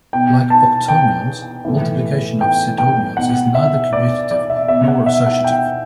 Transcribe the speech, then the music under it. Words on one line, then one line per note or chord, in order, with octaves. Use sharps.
Like octonions, multiplication of sedenions is neither commutative nor associative.
B2 G5
A5
G5
A2 E3
G5
G5
B2 F#5
E5
D5
D5
E5
B2 E5
F#5
E5
F#5
G5